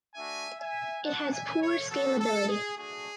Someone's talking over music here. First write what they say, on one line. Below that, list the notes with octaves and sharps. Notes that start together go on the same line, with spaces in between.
It has poor scalability.
A3 D4 F#4 E5 G#5
E5 G#5
B3 D4 F#4 F#5 A5
E5 G#5
A4 C#5
B3 D4 F#4 A4
A4
G#4
A3 D4 F#4 G#4